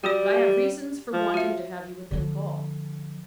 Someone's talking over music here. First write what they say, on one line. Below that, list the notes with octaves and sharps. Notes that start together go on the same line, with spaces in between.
But I have reasons for wanting to have you within call.
G3 F#4 G4 D5
F3
F#4 E5
D3 F3